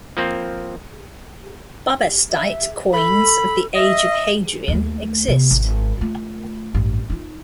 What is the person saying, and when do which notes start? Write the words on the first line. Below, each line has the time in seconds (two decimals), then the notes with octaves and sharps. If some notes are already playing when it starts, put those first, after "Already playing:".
Bubastite coins of the age of Hadrian exist.
0.17 F3 A#3 C4
2.31 E5
2.93 A4 B5
3.75 D#5 E5
4.68 D#2 A3
5.28 C3 B3
5.51 G#1
5.98 A3 F4
6.74 A1 G2
7.10 D#4 F4